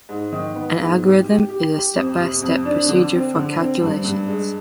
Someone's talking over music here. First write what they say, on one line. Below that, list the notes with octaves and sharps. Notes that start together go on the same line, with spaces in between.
An algorithm is a step-by-step procedure for calculations.
G#2
D#3
B3
G#2
G4
G4
G4
G4
F2
C3
F2
D4
D3
C4
D3
C4
G2
G2
G#3